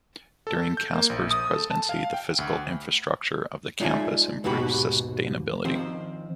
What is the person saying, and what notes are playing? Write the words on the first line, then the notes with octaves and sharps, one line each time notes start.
During Casper's presidency, the physical infrastructure of the campus improved substantially.
A4
G6
A#3
A#1
D#6
A4
A5
F5
G5
D2
G#3 D#4 F4 D5 E5 G#5
D#2 G#2 B2 F#4 G4 B5
D#3 F3 C4 C5